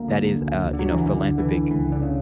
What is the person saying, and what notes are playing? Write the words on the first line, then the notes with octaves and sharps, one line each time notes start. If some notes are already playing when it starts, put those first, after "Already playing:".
that is, uh, you know, philanthropic,
Already playing: D2 A#3
D3
D2
D3
F#3
E3
D2 D3
D3 E3
C#2 E3
D3
C#3